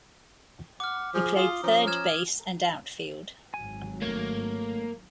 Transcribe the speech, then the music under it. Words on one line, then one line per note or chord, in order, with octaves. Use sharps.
He played third base and outfield.
F#5 D6 F6
F3 G#4
F4 D#6 G7
F3 C#4 A#5
F6 G#6 E7
G#1 F#3 G#5
A3 A#3 C#5